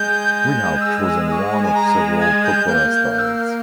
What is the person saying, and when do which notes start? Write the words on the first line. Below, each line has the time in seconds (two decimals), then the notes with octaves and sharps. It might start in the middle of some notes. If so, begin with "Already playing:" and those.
We have chosen one of several popular styles.
Already playing: G#3 G6
0.35 G6
0.81 E6
1.27 E6
1.32 C#6
1.63 G#5
1.74 A#5
2.20 G#6
2.44 G6
2.61 G#3
2.67 A#3 G6
2.90 G6
3.13 G6
3.18 E6
3.36 G6